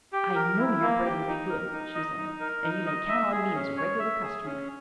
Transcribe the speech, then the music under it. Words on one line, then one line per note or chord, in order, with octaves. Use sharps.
"I know your bread will be good," she said, "and you may count on me as a regular customer."
G4
A#4
E4
A#3
G4
D#4
A#4
D#4
D#5
D#4
A#4
D#4
D#5
E5
G#4
C#4
C#5
E5
G#4
C#4